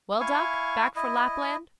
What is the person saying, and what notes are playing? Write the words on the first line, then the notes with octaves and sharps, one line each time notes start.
Well, doc? Back fro Lapland?
E4 F5 G#5 C#6
E4 D#5